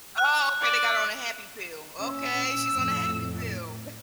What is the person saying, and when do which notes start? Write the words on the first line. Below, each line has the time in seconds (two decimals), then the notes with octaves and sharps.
Oh, okay, they got her on a happy pill, okay, she's on a happy pill.
0.18 F#6
0.61 D5
2.00 A#2 C#4 E6
2.72 F2 A2